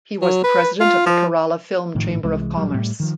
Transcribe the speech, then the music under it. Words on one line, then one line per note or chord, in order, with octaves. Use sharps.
He was the president of the Kerala Film Chamber of Commerce.
F#3
B4
F4
F3
G#1 A2 D#3 F3
C2 E3 G#3
A1 F#3 G3
A2 G3
D#3 F3